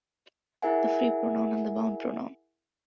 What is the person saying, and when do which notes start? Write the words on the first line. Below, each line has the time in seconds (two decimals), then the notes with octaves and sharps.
The free pronoun and the bound pronoun.
0.62 E4 G#4 A#4 E5 F#5 G#5